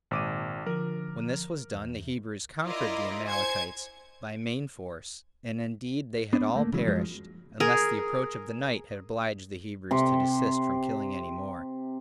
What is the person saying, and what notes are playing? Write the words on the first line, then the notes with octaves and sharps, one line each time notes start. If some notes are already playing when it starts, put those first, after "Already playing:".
When this was done, the Hebrews conquered the Amalekites by main force; and indeed they had all perished, unless the approach of the night had obliged the Hebrews to desist from killing any more.
G#1 A#2 D6 D#7
D3 F3 A#4
E2
E4 F4 A#4 D5 D#5
C5 G#5 G#6 C#7
B3 D4
D#1 A3 A#3
C#3 E3 F#3 G#3
F#2 F3 F#3 G#3
G#4 A#4
C3 C6